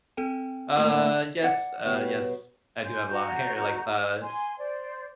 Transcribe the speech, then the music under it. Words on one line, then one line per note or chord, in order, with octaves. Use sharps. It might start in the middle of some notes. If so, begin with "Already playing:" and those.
Uh, yes uh yes. I do have a lot of hair, like, uh, it's
C4 A4 G5
A2 A3 A#3
D5 F#5
B2 G3 C#5
G#5 C6 G6
F#4 A#5 G6
G#5 C6
C5 D5